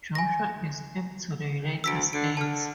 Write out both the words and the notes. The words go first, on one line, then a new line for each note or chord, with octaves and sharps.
Joshua escaped to the United States.
G#5 A#6
D2 E6 B6 D7
D3 D7
D3 A5 F6